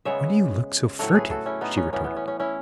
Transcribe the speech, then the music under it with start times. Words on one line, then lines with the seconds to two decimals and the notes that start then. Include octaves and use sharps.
"Why do you look so furtive?" she retorted.
0.05 C#3 G#3 B3 C#5 E5
0.99 A2 F#3 A3 A4 C#5
1.15 G#4 B4
1.30 F#4 A4
1.46 C#4 E4
1.61 B3 D#4
1.77 C#4
1.93 A2 E3 B3 C#4
2.04 B3
2.16 C#4
2.28 C#4
2.40 C#4 E4